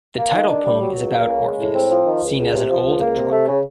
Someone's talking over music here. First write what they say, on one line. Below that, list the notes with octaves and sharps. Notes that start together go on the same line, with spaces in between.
The title-poem is about Orpheus, seen as an old drunk.
A#3
D#3
D4
G3
F#3
C#2
A#3
C#3
G#3
A2
C4
F3
D#3
C#2
C#2
C3
F3
C#2
A#3
C3
A3
C#3